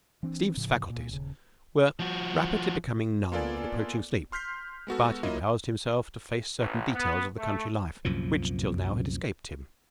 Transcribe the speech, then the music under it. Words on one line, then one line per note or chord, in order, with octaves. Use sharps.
Steve's faculties were rapidly becoming numb with approaching sleep, but he roused himself to face certain details of the country life which till now had escaped him.
E3 C4 D4
A2 C#3 F3
A#2
D#1 C#3
F3 F#4
A#3 B3 F4 A4 D5 G#5
C6 F6 G6 B6 C7
G#3 B3 F#4 A4
F#3 A#3 E4 F4 D#5
A1
B3
A3
C2 F#2 A#2 F3